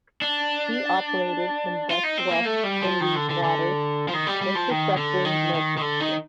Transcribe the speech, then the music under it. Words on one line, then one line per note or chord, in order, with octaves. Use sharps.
She operated in Dutch West Indies waters, intercepting merchant ships.
D4
F4
D#4
C4
A#3
A3
G3
F3
D#3
D3
D3
D3
F3
D#3
G3
G3
F3
D#3
D3
D#3
D#3
D#3
D3
D#3